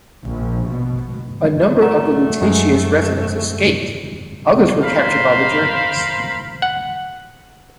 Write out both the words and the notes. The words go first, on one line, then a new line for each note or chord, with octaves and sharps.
A number of the Lutetia's residents escaped; others were captured by the Germans.
A#1
B2
A3 F#4 A#4
F#2 G#3
A#4 C5 F5 B5
F#5